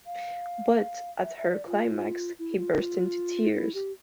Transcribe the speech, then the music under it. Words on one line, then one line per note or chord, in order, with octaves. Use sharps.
But at her climax he burst into tears.
F5
E5
E5
D5
F4
E4
F4
E4
F4
E4
G4